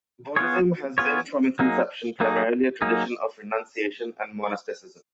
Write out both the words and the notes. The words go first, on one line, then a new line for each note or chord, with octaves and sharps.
Buddhism has been from its inception primarily a tradition of renunciation and monasticism.
B3 F4 G#4 C#5
B3 F4 G#4 C#5
F#3 A#3 D#4 G#4
F#3 A#3 D#4 G#4
F#3 A#3 D#4 G#4